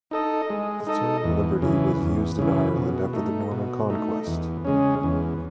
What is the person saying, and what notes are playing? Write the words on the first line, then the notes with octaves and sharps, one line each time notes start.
The term "liberty" was used in Ireland after the Norman conquest.
D#4 A4 D#5
G#3
D#4 A4 D#5
E2
C#3 E3
E2
C#3 E3
B2
A3 D#4
B2
A3 D#4
E2
C#3 G#3 C#4
E2